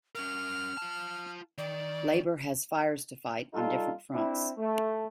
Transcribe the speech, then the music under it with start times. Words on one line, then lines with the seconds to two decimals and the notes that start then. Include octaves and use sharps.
Labour has fires to fight on different fronts.
0.15 C#4 A#4 F6
0.78 F4 A5
1.58 D#3 D5
3.53 G3 D#4 F4 A4
4.14 C4 D4 E4
4.57 A3